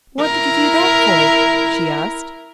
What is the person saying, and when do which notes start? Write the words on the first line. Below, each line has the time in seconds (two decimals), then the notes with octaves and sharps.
"What did you do that for?" she asked.
0.22 E4 A#4